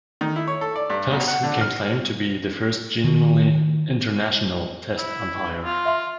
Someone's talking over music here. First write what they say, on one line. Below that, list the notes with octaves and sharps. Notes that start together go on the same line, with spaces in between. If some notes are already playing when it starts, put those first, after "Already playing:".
Thus he can claim to be the first genuinely "international" Test umpire.
D#3
E4
C#5
A4
D5
G2
B1
F#5
D3
F6
D#3
E4
F4
E5 F5 C6